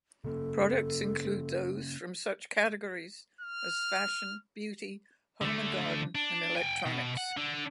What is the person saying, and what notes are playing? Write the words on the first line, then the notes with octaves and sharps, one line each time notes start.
Products include those from such categories as fashion, beauty, home and garden, and electronics.
C#3 A#3 C#4 A4
F6
D3 A3
D4
G5 G#5
B2
F#5
D3